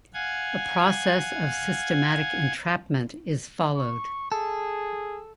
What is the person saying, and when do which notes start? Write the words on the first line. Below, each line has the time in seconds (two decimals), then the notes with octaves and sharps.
A process of "systematic entrapment" is followed.
0.14 F5 F#5 G#5 G#6
3.76 C#6
4.32 G#4 A4